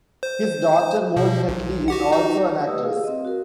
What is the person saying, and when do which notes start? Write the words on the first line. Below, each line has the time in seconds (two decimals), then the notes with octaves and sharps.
His daughter Molly Nutley is also an actress.
0.23 C5
1.16 B2 F3
1.48 B1
1.88 F#4 G4 F#5
2.12 D#4 F#4
2.67 A3 G4 B4 D#5 D#6 E6
2.83 G#4 F5
3.04 C4 D#5
3.25 F#4 A#4